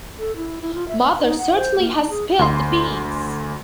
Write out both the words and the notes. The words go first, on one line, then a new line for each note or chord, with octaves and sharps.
Mother certainly has spilled the beans!
A4
E4
E4
F4
E5
B4
D#4
F#5
C5
A#3
D#4
G#4
D2 C6